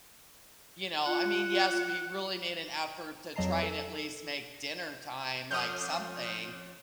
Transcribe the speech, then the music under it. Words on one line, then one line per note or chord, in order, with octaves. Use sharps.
you know I mean, yes, we really made an effort to try and at least make dinner time, like, something
F4 F#5
F2 F#3 D#5 A5 A#5 C7
A4
F2 C#4 D#6 F6 G6